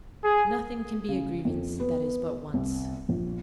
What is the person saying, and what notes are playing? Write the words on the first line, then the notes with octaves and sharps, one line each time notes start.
Nothing can be a grievance that is but once.
G#4
C#3
F2
B3
C2
A#1